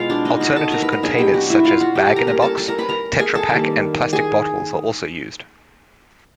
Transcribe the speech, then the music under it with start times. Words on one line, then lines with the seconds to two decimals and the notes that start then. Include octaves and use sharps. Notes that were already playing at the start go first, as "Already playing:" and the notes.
Alternative containers such as Bag-in-Box, TetraPak and plastic bottles are also used.
Already playing: B2 G#3 B3 F4 F5
0.10 D4 D5
0.25 D#4 D#5
0.40 F#4 F#5
0.56 A4 A5
0.72 A#4 A#5
0.82 B4 B5
0.92 A#4 A#5
1.02 B2 F#3 B3 D4 G#4 G#5
1.18 G4 G5
1.34 F#4 F#5
1.50 E4 E5
1.65 F4 F5
1.81 F#4 F#5
1.95 G4 G5
2.06 A4 A5
2.16 A#4 A#5
2.26 G3 A#3 C#4 A#4 A#5
2.42 A4 A5
2.58 A4 A5
2.68 A#4 A#5
2.78 B4 B5
2.89 A#4 A#5
3.20 G#4 G#5
3.35 A4 A5
3.51 D#3 G3 A#3
4.13 G#4 G#5